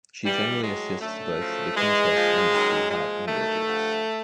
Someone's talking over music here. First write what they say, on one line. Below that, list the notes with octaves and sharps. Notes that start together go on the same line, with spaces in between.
She generally assists both the Princess and the Sweetheart in their duties.
G#2 E3 G3
A2 F#3 G#3
F#2 D3 F#3 A3
F#2 C#3 F3
G#2 E3 G#3
A#2 F3
F#2 D#3 F#3
A#2 F3 G#3
G2 D#3 F#3 A3
G2 D3 F3